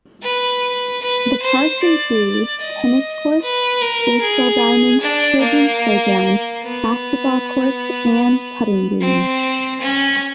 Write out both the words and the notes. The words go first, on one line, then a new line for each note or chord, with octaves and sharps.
The park includes tennis courts, baseball diamonds, children's playgrounds, basketball courts, and putting greens.
B4
B4
C5
D5
D#5
B4
A#4
G#4
D4
A#3
B3
C4
C#4